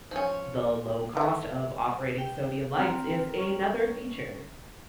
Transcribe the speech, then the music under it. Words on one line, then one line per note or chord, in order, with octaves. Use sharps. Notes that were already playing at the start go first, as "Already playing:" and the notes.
The low cost of operating sodium lights is another feature.
F3 C#4
E3 A3
G5
C4 G5 A#5 F6
C#4